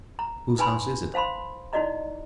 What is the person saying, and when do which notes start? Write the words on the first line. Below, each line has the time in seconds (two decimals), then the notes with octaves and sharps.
"Whose house is it?"
0.19 A#5
0.58 D#4 B4 G#5 A5 B5 C6
1.14 C5 F5 A5 B5 C6
1.73 D#4 E4 F#4 D5 D#5 A#5